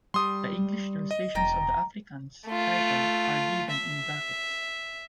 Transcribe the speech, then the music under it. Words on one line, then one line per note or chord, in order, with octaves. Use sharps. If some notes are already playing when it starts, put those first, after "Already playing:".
The English translations of the Afrikaans title s are given in brackets.
G3 C6 D#6
D#5
E1 D5 G5 A#5
A3 F4
E5